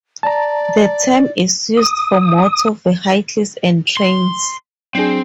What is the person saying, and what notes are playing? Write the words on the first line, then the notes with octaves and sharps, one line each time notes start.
The term is used for motor vehicles and trains.
D5 A5 A#5
D#6
C6
F#3 C4 D4 G#4